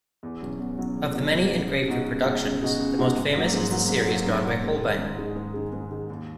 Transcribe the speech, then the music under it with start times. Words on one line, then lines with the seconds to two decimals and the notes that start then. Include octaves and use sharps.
Of the many engraved reproductions, the most famous is the series drawn by Holbein.
0.23 E2
0.41 B2 F#3 C#4
0.59 E2
0.79 B2 F#3 C#4
0.96 E2
1.15 B2 F#3 C#4
1.33 E2
1.51 B2 F#3 C#4
1.69 C#2
1.88 B2 G#3 D#4 F#4
2.06 C#2
2.24 B2 G#3 D#4 F#4
2.43 C#2
2.62 B2 G#3 D#4 F#4
2.79 C#2
2.98 B2 G#3 D#4 F#4
3.16 G#2
3.34 F#3 A#3
3.53 G#2
3.71 F#3 A#3
3.89 G#2
4.07 F#3 A#3
4.27 G#2
4.44 F#3 A#3
4.63 G#2
4.81 D#3 G#3
4.99 G#2
5.18 D#3 G#3
5.36 G#2
5.54 D#3 G#3
5.73 G#2
5.91 D#3 G#3
6.10 D#2